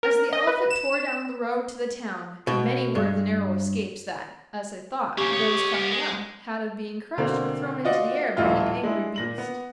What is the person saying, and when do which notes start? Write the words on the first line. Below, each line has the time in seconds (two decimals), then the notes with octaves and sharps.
As the elephant tore down the road to the town many were the narrow escapes that, as they thought, those coming up had of being crushed or thrown into the air by the angry beast.
0.03 A#4
0.33 D#5
0.47 B4
0.70 E7
2.47 B2
2.95 G2
5.18 A#3 C#4 G4
5.33 C#5 D#5
5.74 B3 A#4
5.92 G#3
7.18 B2 D3 A#3 C4
7.84 F4 F#4 D5 D#5 F#5
8.37 D#1 A1 F3 E4 F4 F6
8.83 G#3 D4 E4
9.16 A#2 A#6 F#7
9.38 B3